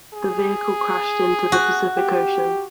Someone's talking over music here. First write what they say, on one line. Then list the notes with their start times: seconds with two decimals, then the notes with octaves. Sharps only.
The vehicle crashed into the Pacific Ocean.
0.14 G#4
1.52 F#4
1.97 G4